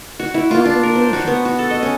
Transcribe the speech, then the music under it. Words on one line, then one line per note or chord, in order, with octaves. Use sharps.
No one knew him.
F#4
E4
F4
D4
A#4
C5
F#4
B3
F#4
A4
D#5
C#4